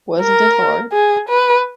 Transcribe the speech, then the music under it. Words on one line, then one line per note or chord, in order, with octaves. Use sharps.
Wasn't it hard?
A#4
G#4
B4